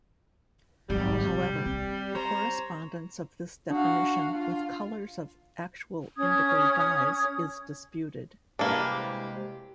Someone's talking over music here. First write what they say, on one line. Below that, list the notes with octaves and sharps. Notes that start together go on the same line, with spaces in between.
However, the correspondence of this definition with colors of actual indigo dyes is disputed.
G#1 F#3 G3
C3
C4
C5 C#5 A#5
D4 F#4 F5
F4
C#4 D#6 G#6
C3 E3 G3 G#3 A#3 D4 G4